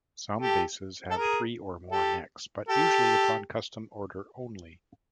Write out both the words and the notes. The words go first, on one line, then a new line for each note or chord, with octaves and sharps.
Some basses have three or more necks, but usually upon custom order only.
G4 A4
A4
G#4 A#4
G4 A4
G4 A4